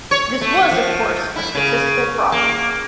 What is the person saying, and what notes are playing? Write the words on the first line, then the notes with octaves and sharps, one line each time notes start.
This was of course a statistical problem.
C#5
A3
F3
E4
C#3
A#3